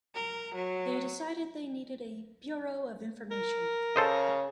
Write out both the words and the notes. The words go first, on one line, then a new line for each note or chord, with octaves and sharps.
They decided they needed a "bureau of information".
A#4
F#3
A#4
C#3 A4 C5 D#5